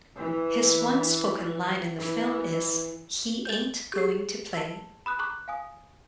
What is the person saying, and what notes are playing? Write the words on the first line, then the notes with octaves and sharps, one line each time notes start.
His one spoken line in the film is, He ain't going to play.
E3
E3
G6 A6
G4 G#4 C7
A5 E6
B5 D#6 F#6
A#5 C#6 D6 F#6
F5 G#5 D#6